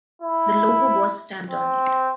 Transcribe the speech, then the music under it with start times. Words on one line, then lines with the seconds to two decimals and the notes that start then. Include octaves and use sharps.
The logo was stamped on it.
0.22 E4
1.50 C4